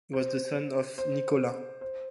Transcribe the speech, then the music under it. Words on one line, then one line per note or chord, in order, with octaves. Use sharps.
He was the son of Nikola.
C5
C5
C5